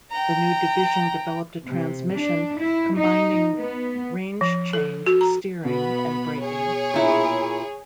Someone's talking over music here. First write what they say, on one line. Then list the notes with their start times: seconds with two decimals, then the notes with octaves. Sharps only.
The new division developed a transmission combining range change, steering and braking.
0.11 G5 A#5
1.64 C3
2.11 D4
2.59 E4
2.94 D#4
3.56 B3
4.41 F3
4.73 A4
5.07 F#4
5.21 A#5
5.64 B2 B3 F#4 B5
6.41 G#4 C#5
6.94 A#2 E4